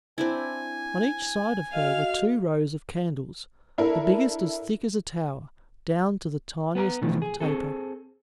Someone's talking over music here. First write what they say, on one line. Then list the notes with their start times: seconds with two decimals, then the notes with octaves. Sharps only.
On each side of her were two rows of candles, the biggest as thick as a tower, down to the tiniest little taper.
0.18 C4 D4 E4 G#5
1.73 F#4 A4 D#5 F5 F6
3.78 D4 E4 A4 A#4
6.75 B3 B4 A5 A#5
7.02 B2 D3 E3 F3 A3
7.22 G#4
7.40 C4 G#4 A4